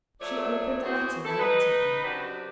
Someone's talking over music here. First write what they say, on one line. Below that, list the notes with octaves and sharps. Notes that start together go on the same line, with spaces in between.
She opened the letter reluctantly.
F3 F#3 A3 C#5 D5 E5
E3 C#4 F#4 G#4 C5
E4 A4
D#4 B4
F#2 C3 C4 D4 F#4 C5